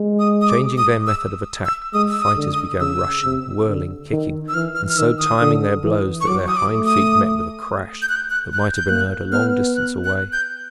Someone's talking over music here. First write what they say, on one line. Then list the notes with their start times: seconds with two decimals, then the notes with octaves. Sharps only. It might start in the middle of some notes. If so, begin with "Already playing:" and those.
Changing their method of attack, the fighters began rushing, whirling, kicking and so timing their blows that their hind feet met with a crash that might have been heard a long distance away.
Already playing: G#3
0.19 D#6
0.41 D#6
0.49 D6
0.77 D#6
1.07 E6
1.65 E6
1.94 G#3 D#6
2.11 E6
2.22 D#6
2.37 D3
2.51 D#6
2.80 C#3 E6
3.24 C3
3.67 D3
4.11 D#3
4.48 E6
4.54 E3 F6
4.75 F6
4.88 F6
4.97 D#3 E6
5.19 D#6
5.41 D3
5.84 E3
6.21 C#6
6.27 F#3 D6
6.48 D#6
6.57 D6
6.72 A3
6.86 D#6
8.02 G6
8.09 F#6
8.16 G6
8.30 F#6
8.53 F#6
8.59 G6
8.76 G6
8.89 A#3 F#6
9.32 B3 F6
9.76 F#6
10.04 F#6
10.33 G6